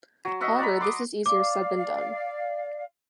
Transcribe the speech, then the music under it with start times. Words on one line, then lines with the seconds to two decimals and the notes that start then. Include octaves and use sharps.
However, this is easier said than done.
0.25 F#3
0.41 D#5 E5 F#5 C#6
0.59 D5 F#5 A#5 B5
0.80 C6 D6 D#6
1.26 D5 F5 D6